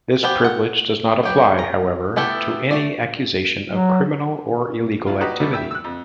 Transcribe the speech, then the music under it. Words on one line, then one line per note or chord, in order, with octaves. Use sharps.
This privilege does not apply, however, to any accusations of criminal or illegal activity.
F3 B3 G4
F#5
F#3 G4 B4
C#4 A#5
A3 B3 E4 G4 A4
A3 F#4 D5
F#3
F#3 E4 F4
F#4 G4 B4 D#5 A#5
B2 D3 G3 A3 B3
E5 G5 E6
E6 F#6
F2